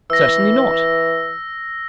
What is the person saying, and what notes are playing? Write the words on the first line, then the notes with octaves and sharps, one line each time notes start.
"Certainly not!"
E3 E6 A#6